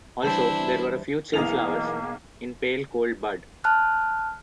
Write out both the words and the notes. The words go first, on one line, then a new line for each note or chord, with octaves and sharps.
Also, there were a few chill flowers, in pale cold bud.
E3 G3 D4 E4 C5 A5
B1 E3 A#3 G#4 A#4 D#5 F7
A5 F6 F#6